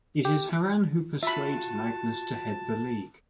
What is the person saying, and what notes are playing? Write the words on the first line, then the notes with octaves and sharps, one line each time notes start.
It is Harran who persuades Magnus to head the League.
G4
F4 F#4 E5 A5 B5